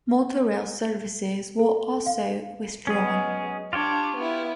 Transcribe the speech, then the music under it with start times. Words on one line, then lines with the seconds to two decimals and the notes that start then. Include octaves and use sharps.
Motorail services were also withdrawn.
1.59 A4
2.06 F5
2.87 F#3 G#3 B3 C#4 G#4
3.73 D4 F4 G4 C#5
4.17 B3 E4